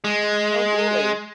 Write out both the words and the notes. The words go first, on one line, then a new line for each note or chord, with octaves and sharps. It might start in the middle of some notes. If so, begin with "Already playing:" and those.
Oh, really?
G#3